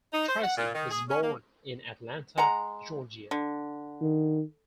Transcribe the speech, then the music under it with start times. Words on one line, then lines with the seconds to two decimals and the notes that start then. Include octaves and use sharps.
Tracy was born in Atlanta, Georgia.
0.13 D#4
0.28 C5
0.42 F#5
0.56 A#2
0.73 D#3
0.91 G#4
1.09 C#4
1.22 A#3
2.38 G#3 F#5 A#5
3.31 D3
4.01 D#3